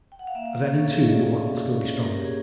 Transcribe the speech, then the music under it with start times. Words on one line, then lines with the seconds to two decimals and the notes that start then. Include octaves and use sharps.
Of any two the one will still be stronger.
0.12 G5
0.19 F#5
0.27 F5
0.35 A#3 E5
0.46 F5
0.56 A#3
0.65 C#5
0.75 C#4 A4
0.85 G#4
0.95 C#4 A4
1.05 D#5
1.15 A#3 D5
1.35 C#4
1.55 C#4
1.75 C#4
1.95 A#3 C#5
2.06 A#4
2.15 F#4 G4
2.25 G#4